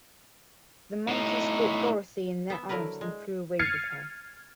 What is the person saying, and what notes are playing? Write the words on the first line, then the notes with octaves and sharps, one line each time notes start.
The Monkeys caught Dorothy in their arms and flew away with her.
A2 D#4
B3 E5
D3 F#3 E4 A#4 B4
G#3
F6 G#6 A6 C7 C#7 D#7